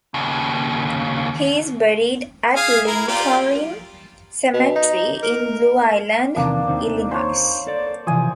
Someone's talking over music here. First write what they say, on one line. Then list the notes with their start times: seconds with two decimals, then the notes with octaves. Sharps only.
He is buried at Lincoln Cemetery in Blue Island, Illinois.
0.14 D#2 C#3
2.56 G#4 F5 G#5
2.87 E4 A#4
3.08 F4 G4 D5
4.53 B2
4.76 D#4
5.23 A#4
6.36 E2 C3 D#3 A#3 D4 A5
6.68 D#2 D#3 C4
7.11 C5 C#5
7.67 A4 D5
8.07 C3 E3 F3 G#5 D#6